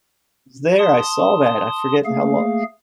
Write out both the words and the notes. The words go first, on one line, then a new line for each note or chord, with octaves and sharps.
was there, I saw that, I forget how lo
A5 C6 D#6
A3 A#3 G#4 F5